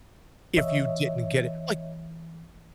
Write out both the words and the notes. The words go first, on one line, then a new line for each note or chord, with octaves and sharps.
if you didn't get it, like,
E3 C#5 D#5 E5